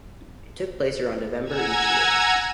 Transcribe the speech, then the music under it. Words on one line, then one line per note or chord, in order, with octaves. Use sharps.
It took place around November each year.
F#5 G#5 A#5 E6 G#6